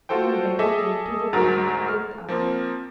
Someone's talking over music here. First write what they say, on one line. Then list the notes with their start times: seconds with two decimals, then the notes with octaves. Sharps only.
He went back again to the window and looked out.
0.09 F4 F#4 A4 C5 G5
0.59 G#4 A4 D#5 E5 D6
1.33 D2 G#2 F#4 A#4 A#5 A6
1.88 F6
2.28 F3 A#3 C4